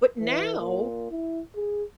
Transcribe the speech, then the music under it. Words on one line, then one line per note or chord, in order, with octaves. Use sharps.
But now,
E3
A#2
E4
G#4